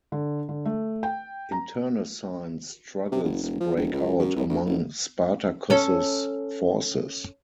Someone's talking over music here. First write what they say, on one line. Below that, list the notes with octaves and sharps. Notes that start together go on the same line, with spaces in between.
Internecine struggles break out among Spartacus's forces.
D3
D3
A3
G5
A#5
C3
F#1
E1
F3
E1
C#2
F#2
C2
D2
F#1
C#4 A4